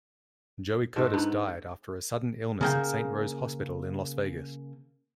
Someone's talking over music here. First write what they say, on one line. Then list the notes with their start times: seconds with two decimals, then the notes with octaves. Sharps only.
Joey Curtis died after a sudden illness at Saint Rose Hospital in Las Vegas.
0.96 G#2 F#4 A4
1.14 B3 D4 D#4
2.61 C#3 A#3 G5